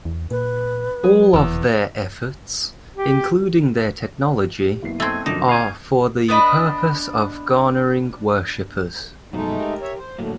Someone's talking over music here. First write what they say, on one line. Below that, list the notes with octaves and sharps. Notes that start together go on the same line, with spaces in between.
All of their efforts, including their technology, are for the purpose of garnering worshippers.
E2
A#2 B4
F#3 G#4
F1 E2 E6
G4
G4
F#1 B3 C7
A3 C4 D#5 G#5
F#2 A#2 D3 F3 G#3 A#3 D#4
F5 G#5 C#6 G6
B3 D4 D#5 B5
F#2 B2 F3 G#3 A3 D#4
G4 A#4
C#5 E5
C5
A2 D3 F#3 A3 A#3